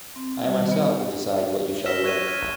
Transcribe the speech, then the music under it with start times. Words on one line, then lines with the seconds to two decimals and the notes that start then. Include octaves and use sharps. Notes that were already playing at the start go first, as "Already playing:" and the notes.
I myself will decide what you shall wear.
0.16 C4
0.44 G3
0.59 D#3
0.72 B3
1.86 E6 F6 A#6 B6 E7 G7
2.04 C#6 F#6 G#6 A#6 D#7 E7
2.28 F6 G#6 B6 D#7